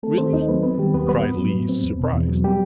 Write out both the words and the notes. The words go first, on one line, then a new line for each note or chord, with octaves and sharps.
"Really?" cried Lise, surprised.
A3 C4 A4
D#3 C4 C5
D#2 D#4 D#5
F#3 B3 B4
B3 C4 B4
D#3 G3 G4
D#2 B3 B4
G3 B3 B4
A2
F#3
A2
C4
E2
B2
E2
F#3
G3 G4